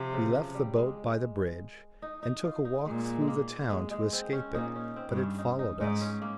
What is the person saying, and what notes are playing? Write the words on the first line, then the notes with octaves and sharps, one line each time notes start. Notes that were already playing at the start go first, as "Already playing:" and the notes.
We left the boat by the bridge, and took a walk through the town to escape it, but it followed us.
Already playing: C3 F3
C#3
F3
G3
G#3
D#4
D#4
F4
D#4
A#2 G#3
G#3
A#3
G#3
G#3
C4
C#4
A#2 D#4
C#4
C4
G2
C#4
D#4
D#4
G#2 D#4
C#4
A#3